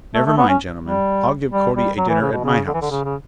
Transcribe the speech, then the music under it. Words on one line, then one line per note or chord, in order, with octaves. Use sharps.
"Never mind, gentlemen, I'll give Cody a dinner at my house."
A3
A3
B3
C#4
G3
G3
G3
F#3
E3
C#3
B2
C#3
D3
E3
D3
C#3
C#3